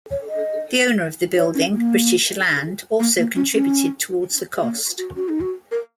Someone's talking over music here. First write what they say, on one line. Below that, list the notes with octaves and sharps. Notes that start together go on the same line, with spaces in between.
The owner of the building, British Land, also contributed towards the cost.
C#5
D#5
C#5
C#4
A#3
A#3
A#3
C#4
C#4
A#3
F#4
F#4
D#4
F#4
A#4